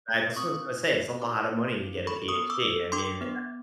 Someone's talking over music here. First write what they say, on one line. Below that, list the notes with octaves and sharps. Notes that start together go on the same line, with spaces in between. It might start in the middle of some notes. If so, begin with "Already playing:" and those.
I that's was gonna say it's a lotta money to get a PhD. I mean a
A3
C4 C#6 D#6
D#4
A3
D#4 C6 D6
D#4
C4
A4 B5 C#6
C#6 D#6
B3
D6 E6
A4
D4 C6 D6
B3